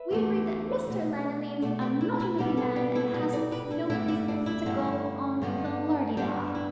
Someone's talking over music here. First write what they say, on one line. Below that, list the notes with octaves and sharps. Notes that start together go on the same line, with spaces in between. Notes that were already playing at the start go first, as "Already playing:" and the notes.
We agreed that Mr. Lanoline's a notty, notty man, and hasn't no business to go on the lardy-da.
Already playing: B4 E5
E2 D3 A3
B2 A3
B2 A3 A4 D5
G4 B4
E4
E4
B2 G3 B3 D4 G4
E4 A4
D4 G4
E4 A4
B2 G3 B3 G4 B4
A4 D5
G4 B4
E4 A4
G2 D3 A3 E4
E4
D4
E4
G2 D3 A3
G2 D3 B3
G2 D3 B3 D4 G4
E4